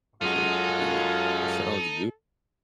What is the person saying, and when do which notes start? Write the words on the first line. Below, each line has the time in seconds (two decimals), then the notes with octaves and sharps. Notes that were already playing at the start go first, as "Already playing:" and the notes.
Okay, good. That sounds good,
0.22 F#2 G#3 D#4 F4 F#4 A4